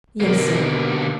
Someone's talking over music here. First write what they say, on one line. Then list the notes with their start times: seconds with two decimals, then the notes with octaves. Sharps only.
"Yes, sir."
0.20 D#2 B2 D3 D#3 A#3